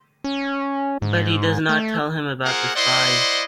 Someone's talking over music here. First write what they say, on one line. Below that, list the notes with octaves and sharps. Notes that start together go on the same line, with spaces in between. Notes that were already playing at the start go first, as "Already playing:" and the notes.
But he does not tell him about the spies.
C#4
G#2
A3
A#3 F4 G#4 A#4 C5 F#5
E4 C5 D5 D#5 F#5 C6